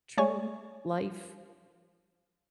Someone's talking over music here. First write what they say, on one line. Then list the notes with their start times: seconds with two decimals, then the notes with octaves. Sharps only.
true life,
0.17 A3 C#5 D5 G#5 C#6